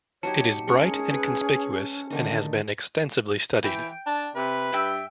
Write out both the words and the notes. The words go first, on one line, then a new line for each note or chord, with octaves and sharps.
It is bright and conspicuous and has been extensively studied.
F#3 D#4 G4 C#5 A5 C#7
G#3 C#4 G#4 A#4 C#7
B4
D3 D#3 D#4
E3 G5
D4 A5
C3 B4
G2 E5 G5 E6